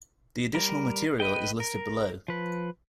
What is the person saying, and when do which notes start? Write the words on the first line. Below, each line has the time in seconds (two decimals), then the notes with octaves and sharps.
The additional material is listed below.
0.54 G3 A#4
1.20 B4 D#5 G5
1.60 A#4
2.28 F3 B4